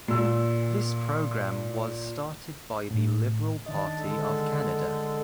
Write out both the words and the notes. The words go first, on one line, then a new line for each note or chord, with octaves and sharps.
This program was started by the Liberal Party of Canada.
A#2 E6
A2
D#3 D4 D5 D#5
D3 G#3 A4